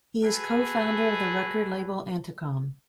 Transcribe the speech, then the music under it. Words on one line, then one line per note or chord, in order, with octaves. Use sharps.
He is co-founder of the record label Anticon.
F#4 G#4 A4 B4